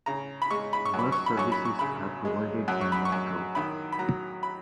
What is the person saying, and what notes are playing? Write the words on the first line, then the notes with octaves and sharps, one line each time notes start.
Bus services are provided by Metro.
C#3 A#5
B5
G#3 C#6
B5
C#6
F#2
B5
C#6
B5
F#2 C#6
B5
C#6
C#3 B5
G#3
F#2
C#6
B5
C#6
F#2
D#3 B5
B5
F#3 A#5
B5